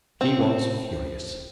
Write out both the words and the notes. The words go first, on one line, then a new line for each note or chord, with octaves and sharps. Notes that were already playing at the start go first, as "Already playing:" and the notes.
She was furious.
C4